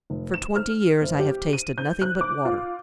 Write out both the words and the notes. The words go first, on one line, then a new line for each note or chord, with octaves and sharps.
"For twenty years I have tasted nothing but water."
F1
E7
F6
F#1
G4
D#7
G6
F#6
D6
F4